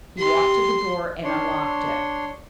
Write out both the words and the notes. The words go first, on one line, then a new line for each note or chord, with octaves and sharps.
He walked to the door and unlocked it.
G4 C6
D4 C#5 C6